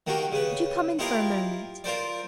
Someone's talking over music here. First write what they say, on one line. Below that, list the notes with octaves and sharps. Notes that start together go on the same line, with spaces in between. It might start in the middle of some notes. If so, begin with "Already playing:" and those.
Would you come in for a moment?
D#3 A#3 F#4 G4
C#3 B4
E4 F4 G4 A#4 D#5 F5
F4 A#4 C5 D5